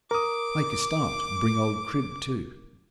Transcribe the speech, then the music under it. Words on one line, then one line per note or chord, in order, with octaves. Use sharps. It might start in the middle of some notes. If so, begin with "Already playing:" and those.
Make a start, and bring old Crib too.'
A#4 D6 D#6